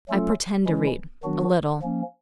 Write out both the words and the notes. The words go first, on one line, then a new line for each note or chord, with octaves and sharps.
I pretend to read--a little.
F#3 A3 C#4 F4 A4
E3 G#3 C#4 E4
D#3 F#3 B3 D4 F#4
F3 A#3 C#4